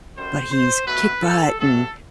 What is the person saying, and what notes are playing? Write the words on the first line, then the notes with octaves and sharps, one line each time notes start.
but he's kick butt and,
F#2 D3 G3 C5
C5
B2 F#3 A3 B4
A4
C3 F#3 A3 A4